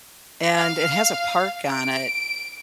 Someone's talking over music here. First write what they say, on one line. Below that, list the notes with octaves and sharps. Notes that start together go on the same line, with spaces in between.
and it has a park on it
F5
D7